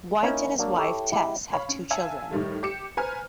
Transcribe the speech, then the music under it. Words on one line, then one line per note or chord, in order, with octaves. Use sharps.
White and his wife, Tess, have two children.
A#3 C#4 D#4 E4
F#3 A#3 D4
E4 G4 A4 C#5
G#3 E4 G4
C#5 F5 B5 C#6
C#4
E5 F5 G#5 A5 E6
A2 D#3 G3 A3
G4 D6 C#7 E7
B4 C5 G#5 A#5 F6